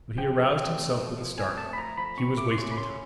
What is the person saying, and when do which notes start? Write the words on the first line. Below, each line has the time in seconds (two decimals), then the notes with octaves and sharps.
But--he aroused himself with a start--he was wasting time!
0.18 F3 G5
0.38 F3
0.58 C4
0.78 A3
0.98 F3
1.18 F3
1.38 C4 G#5
1.58 A3 A5
1.73 B5
1.78 F3 A#5
1.97 F3 B5
2.18 C4 C#6
2.37 A3 D6
2.51 C6
2.57 C#3 C#6
2.71 B5
2.77 C#4 C6